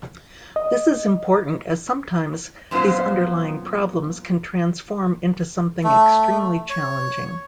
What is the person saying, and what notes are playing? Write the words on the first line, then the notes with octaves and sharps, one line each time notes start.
This is important as sometimes, these underlying problems can transform into something extremely challenging.
D#5
F#2 A#2 B3 F4 C5
A3
C#5